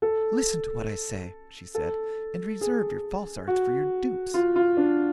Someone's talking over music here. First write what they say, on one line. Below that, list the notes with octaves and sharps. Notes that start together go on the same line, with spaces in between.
'Listen to what I say!' she said; 'and reserve your false arts for your dupes.
A4
A4
G#4
F#4
F4
F4
D4